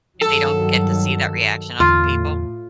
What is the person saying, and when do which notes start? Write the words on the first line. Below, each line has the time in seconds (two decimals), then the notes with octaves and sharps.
If they don't get to see that reaction off of people,
0.21 G2 D#3 F#3 A4
1.80 E2 A2 D3 F4